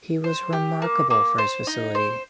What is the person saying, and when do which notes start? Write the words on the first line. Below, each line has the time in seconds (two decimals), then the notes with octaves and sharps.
He was remarkable for his facility.
0.24 C5
0.53 G4
0.82 A#3
1.10 A#3
1.38 C5
1.67 D#4
1.95 C5